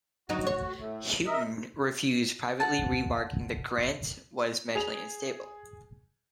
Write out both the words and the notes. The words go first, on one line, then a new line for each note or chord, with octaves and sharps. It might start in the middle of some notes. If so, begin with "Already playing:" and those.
Houghton refused, privately remarking that Grant was mentally unstable.
D2 F#3 D#4 F#4
C#5
A2 A3
A#4 D#5 E5
F#5 A5
G#4 F7